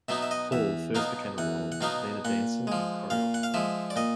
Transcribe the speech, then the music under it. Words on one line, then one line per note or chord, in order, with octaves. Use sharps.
Paul first became a model, then a dancer and choreographer.
B2 F#3 B3 D#4 E5
E5
D#5
E2 E5
B2 F#3 B3 D#4 F5
E2 F#5
F#5
B2 F#3 B3 D#4 F5
A#2 F#5
F3 G#3
A#2 F5
F#5
F5
F3 G#3 E5
D5
A#2 D#5